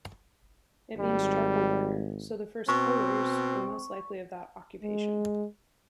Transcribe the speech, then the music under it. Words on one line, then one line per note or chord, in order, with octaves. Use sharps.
It means, "charcoal burner" so the first "Kohlers" were most likely of that occupation.
G#1 G3
B2 C4 C#6
G#3